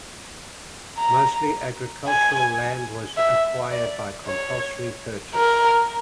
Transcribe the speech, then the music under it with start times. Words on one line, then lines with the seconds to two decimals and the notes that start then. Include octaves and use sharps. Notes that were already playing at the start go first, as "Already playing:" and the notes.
Mostly agricultural land was acquired by compulsory purchase.
0.98 A#5
2.08 G#5
3.17 E5
3.71 D5
4.26 C#5
5.35 A#4